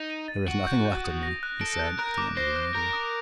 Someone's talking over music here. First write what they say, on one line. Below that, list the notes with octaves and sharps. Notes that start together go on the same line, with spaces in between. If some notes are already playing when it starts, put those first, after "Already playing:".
"There is nothing left of me," he said at the end of the interview.
Already playing: D#4
D#7
A6
F#4 D7
G6
G6
D#6
A#6
F#6
A4 D7
G6
A#4 F#6
D6
C5 A#6
F#6
A#4 G6
D#6